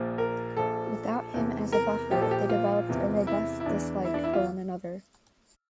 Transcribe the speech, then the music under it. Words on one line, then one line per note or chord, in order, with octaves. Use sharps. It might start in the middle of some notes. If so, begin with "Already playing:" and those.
Without him as a buffer, they developed a robust dislike for one another.
Already playing: A#1 A#2 F3
A#4
A#1 A#2 F3 A4
E2 C3 E3
A#4
A#1 A#2 F3 G4
A4
G4
F4
E2 C3 E3
E4
E4
E2 E3 D4
E4
D4
E4
F4